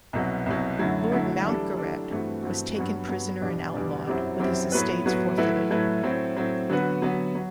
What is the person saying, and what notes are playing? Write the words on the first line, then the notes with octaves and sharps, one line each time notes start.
Lord Mountgarret was taken prisoner and outlawed, with his estates forfeited.
C2 B2 F#3
C2 B2 F#3
F#2 D3 F#3 A3 E4
F#2 D3 F#3 A3 E4
E3 G3 D4 A4
E3 G3 D4 A4
G2 E3 A3 C4 F#4
G2 E3 A3 C4 F#4
G2 F#3 B3 F#4
G2 F#3 B3 F#4
E2 B2 G3 D4
E2 B2 G3 D4
F#2 F#3 C4 E4 G4
F#2 F#3 C4 E4 G4
A2 F#3 B3 F#4 B4
A2 F#3 B3 F#4 B4
A2 F#3 A3 E4 B4
A2 F#3 A3 E4 B4
A2 F#3 C4
A2 F#3 C4
D3 F#3 B3 F#4 B4
D3 F#3 B3 F#4 B4
F#3